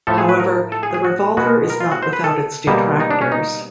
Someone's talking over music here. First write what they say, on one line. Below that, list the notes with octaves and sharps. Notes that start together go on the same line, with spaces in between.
However, the revolver is not without its detractors.
A2 F3 A3 A4
G#4
B4
A#4
A4
G#4
G#4
F#4
B2 G#3 B3 F#4
A#4
F4
F#4
C5
B4
A4
B2 G3 A#3
D#4
D4
C#4
D#4